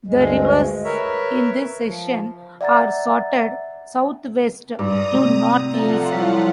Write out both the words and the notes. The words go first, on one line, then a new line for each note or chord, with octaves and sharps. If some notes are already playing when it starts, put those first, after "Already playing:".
The rivers in this section are sorted south-west to north-east.
D2 G2 G#3
A#4 B4 C#5 E5
F3
D5 E5 F#5 A#5 A6
G2 D5 A#5 D#6
A2 C3
F3 F4 A4 E5 F#5 A#5
F#3 G3 E4